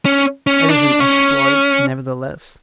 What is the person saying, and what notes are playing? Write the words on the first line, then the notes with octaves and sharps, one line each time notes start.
"It is an exploit, nevertheless."
C#4
C#4
D4
C#4